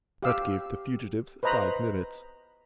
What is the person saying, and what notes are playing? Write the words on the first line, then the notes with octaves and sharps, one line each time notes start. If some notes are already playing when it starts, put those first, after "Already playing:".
That gave the fugitives five minutes.
G4 F5 E6
B4 C5 D#5 A#5 B5